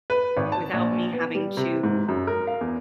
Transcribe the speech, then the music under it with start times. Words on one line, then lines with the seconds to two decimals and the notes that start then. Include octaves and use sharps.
without me having to,
0.10 B4
0.37 G#1
0.52 A5
0.73 A#1
1.13 B3
1.35 G3
1.57 C3
1.83 G#2
2.08 F#2
2.27 A#4
2.47 F5
2.61 E2